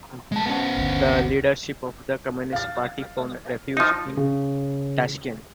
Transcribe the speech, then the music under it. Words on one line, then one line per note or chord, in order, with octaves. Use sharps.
The leadership of the Communist Party found refuge in Tashkent.
G#3 A5
B3 C#4
G1 D2
F5 A6
F3 D#4
C#3